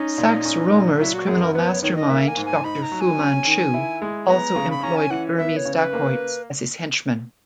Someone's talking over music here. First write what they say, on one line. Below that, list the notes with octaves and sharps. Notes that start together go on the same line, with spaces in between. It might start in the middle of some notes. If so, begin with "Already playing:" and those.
Sax Rohmer's criminal mastermind Doctor Fu Manchu also employed Burmese dacoits as his henchmen.
Already playing: C#4 D#4
A#2
C#4
A#2
F#3 E4
F#4
F#2 G#4
A#4
B3 B4
C#5
D#3 C#5
D#5
A#3 E5
G#5
G#2
G#5
D#4 B5
A#5
F#3
G#5
C#4
D#3
E4
G#3
B3 A#5
C#3
B5
C#4 A#5
G#5
E3 F#5
B3 E5
C#5
C#3
B4
A#3